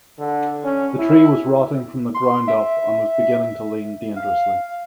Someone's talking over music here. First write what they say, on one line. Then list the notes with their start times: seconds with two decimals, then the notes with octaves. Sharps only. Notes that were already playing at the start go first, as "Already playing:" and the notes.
The tree was rotting from the ground up and was beginning to lean dangerously.
0.19 D3
0.64 C#4
0.99 E4
2.14 C6
2.48 E5
4.16 F5